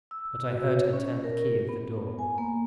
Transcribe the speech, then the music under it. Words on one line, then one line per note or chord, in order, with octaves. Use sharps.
But I heard her turn the key of the door.
E6
F#4
C#5
C#4
A#4
B3
G#5
A#3